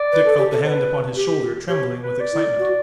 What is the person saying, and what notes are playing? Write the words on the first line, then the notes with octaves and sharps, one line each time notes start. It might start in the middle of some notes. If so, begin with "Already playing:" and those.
Dick felt the hand upon his shoulder trembling with excitement.
Already playing: D5
B4
A4
G4
A4
C#5
B4
G4
G4 C#5
B4
D5
E4
F#4